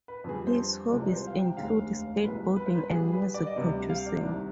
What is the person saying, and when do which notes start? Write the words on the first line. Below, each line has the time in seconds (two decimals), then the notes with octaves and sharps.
His hobbies include skateboarding and music producing.
0.08 B4
0.24 F2 D3 G3 G#4
0.37 B4
0.47 C5
0.91 C2 C3 F3 G#3 D5
1.13 C5
1.27 F5
1.35 G5
1.57 F1 D#2 D3 G#3 F5
2.24 C2 B2 G#3 B4
2.56 B4
2.66 C5
2.75 B4
2.90 B1 B2 G3 G#4
3.08 G#4
3.13 B4
3.34 D5
3.47 D#5
3.56 D2 C3 G3 D5
3.89 F5
4.06 D5
4.23 C2 C3 D#3